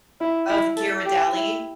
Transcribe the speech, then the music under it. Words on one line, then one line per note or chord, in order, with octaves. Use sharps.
Oh, the Ghirardelli?
E4
E4
A4
G4
E4